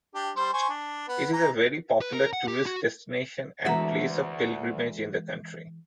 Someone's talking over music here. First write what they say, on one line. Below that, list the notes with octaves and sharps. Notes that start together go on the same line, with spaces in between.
It is a very popular tourist destination and place of pilgrimage in the country.
D4 G4
G3 C5
C5 G#5 C#6
D4
B3 B4
E3 A#5
B4
A#4
F#5
G4
F#4
D2 E3 G#3 B3 F#4 E5 F#5 A#5